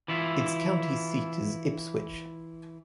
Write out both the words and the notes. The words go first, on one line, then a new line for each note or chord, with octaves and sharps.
Its county seat is Ipswich.
E3 E4 F4